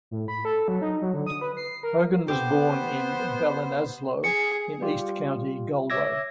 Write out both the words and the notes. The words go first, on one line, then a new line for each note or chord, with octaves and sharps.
Hogan was born in Ballinasloe in east County Galway.
A2
B5
A4
F#3
D#4
F#3
D3
D#6
B4
C7
A#4
B3 G4 C5
G#4 C#7
G3 F4 G4
C#5 E5 D6 E6 G#6 A#6